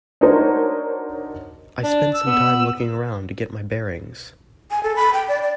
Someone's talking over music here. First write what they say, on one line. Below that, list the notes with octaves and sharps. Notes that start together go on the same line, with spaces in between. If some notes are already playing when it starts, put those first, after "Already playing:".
I spent some time looking around to get my bearings.
D4 D#4 F#4 A#4 C5 C#5
D4 A5
E6
B3
G#5
A4
B5
G5
D5
D5